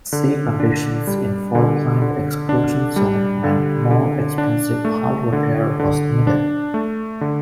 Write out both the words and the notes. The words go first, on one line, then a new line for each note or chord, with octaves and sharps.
Sea conditions in the Falkland exclusion zone meant more expensive hull repair was needed.
D3
D4
G3
D3
D3
D4
G3
D3
D3
D4
A3
D3
D3
D4
A3
D3